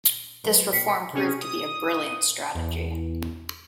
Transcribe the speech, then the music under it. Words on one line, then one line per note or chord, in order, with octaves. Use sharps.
This reform proved to be a brilliant strategy.
F#3 B4 C5
B2 G5 B6 C#7
C3 C#4 G#4
D#6
E2